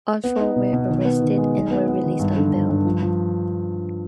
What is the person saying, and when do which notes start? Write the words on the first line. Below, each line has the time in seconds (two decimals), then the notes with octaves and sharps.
All four were arrested and were released on bail.
0.24 B3
0.40 D#4
0.56 B2
0.73 B2
0.89 D#3
1.05 B3
1.22 D#3
1.38 G#3
1.54 D#3
1.71 B3
1.87 B3
2.04 D#3
2.19 G2
2.36 D3
2.52 G2
2.69 G2
2.85 F3
3.02 F3